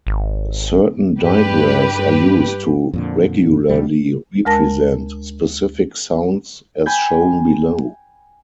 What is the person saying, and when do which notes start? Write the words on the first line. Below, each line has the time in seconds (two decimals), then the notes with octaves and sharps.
Certain digraphs are used to regularly represent specific sounds as shown below.
0.07 G#1
1.21 G2 G4 B4
2.93 F2 A#2 D3
3.69 D2 C3 D#3 G3
4.45 D2 G#3 A#4 A5 A#6
6.86 G5 G#5 B5 G6